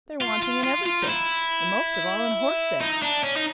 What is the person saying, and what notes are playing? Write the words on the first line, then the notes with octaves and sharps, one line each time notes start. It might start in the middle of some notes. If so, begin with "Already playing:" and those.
They're wanting in everything, and most of all in horse-sense.
F4
F4
F4
F4
D#4
E4
D#4
D4
C#4
D#4